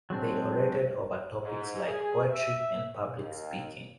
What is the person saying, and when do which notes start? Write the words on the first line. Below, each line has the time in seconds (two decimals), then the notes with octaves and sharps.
They orated over topics like poetry and public speaking.
0.10 F#3 G#3 C4 D4
1.42 G#2
1.85 G#4
2.31 E5
3.14 D#2